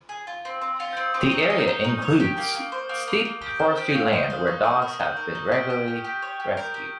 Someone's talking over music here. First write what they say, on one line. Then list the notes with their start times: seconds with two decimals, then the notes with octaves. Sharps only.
The area includes steep forestry land where dogs have been regularly rescued.
0.09 G#4
0.27 F4
0.45 C4
0.62 C4
0.79 F4 C#7 F7
0.93 G6
0.97 C4
1.06 D#6
1.14 C4
1.19 C#6
1.32 D#4 D#6
1.42 F6
1.50 D#4 D#6
1.67 D#4
1.84 D#4 D#6
2.02 C#5
2.20 G4
2.38 A#3
2.55 A#3
2.72 C5
2.89 A#3 D#6
3.08 A#3
3.25 A#3
3.41 G4 G6
3.59 C5 F6
3.77 G4 D#6
3.95 F5 C#6
4.08 D#6
4.13 C5
4.21 F6
4.30 F5 D#6
4.47 D#4 C#6
4.64 A#4 C#6
4.82 A#4 D#6
4.99 D#4 G6
5.17 A#4
5.35 D#4
5.52 G4 F6
5.70 G4
5.87 G4
6.04 G4
6.22 C#5
6.40 G4
6.57 A#4 G6
6.74 G4